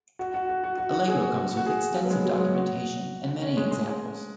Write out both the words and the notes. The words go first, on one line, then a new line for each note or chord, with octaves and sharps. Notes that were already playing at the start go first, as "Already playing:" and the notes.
Allegro comes with extensive documentation and many examples.
F#4
F#4
F#4
F#4
F#4
F#4
G#4
F#4
F#4
G#4
F#3
B3
G#3
F#3
G#3
F#4
C#4
G#3
G#3